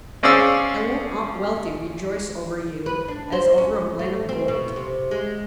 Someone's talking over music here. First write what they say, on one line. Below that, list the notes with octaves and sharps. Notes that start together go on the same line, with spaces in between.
"And won't Aunt Wealthy rejoice over you as over a mine of gold!"
C4 C#4 G#4 D5 F5 E6
B4
D4
C5
C#4
A3
C4
B2
C3
G#3